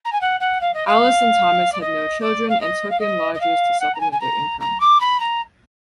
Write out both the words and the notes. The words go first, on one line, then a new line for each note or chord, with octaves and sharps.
Alice and Thomas had no children and took in lodgers to supplement their income.
A#5
G#5
F#5
F#5
F5
D#5
F5
D5
D#5
D5
F5
D#5
F5
D#5
D#5
F5
F#5
A#5
G#5
G#5
A#5
A#5
D6
B5
A#5